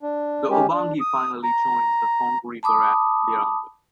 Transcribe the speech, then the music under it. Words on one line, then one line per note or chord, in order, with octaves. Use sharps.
The Ubangi finally joins the Congo River at Liranga.
D4
G#3 C#4 G4
D4
D#6
A#5
A5 B5 D6 D#6